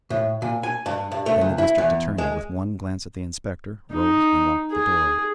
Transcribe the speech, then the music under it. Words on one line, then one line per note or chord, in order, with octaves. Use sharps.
Then the district attorney, with one glance at the inspector, rose and locked the door.
A2
A#2
G#5
G2
G2
A3
C#2
E4
E2
G#3
D#4
G#4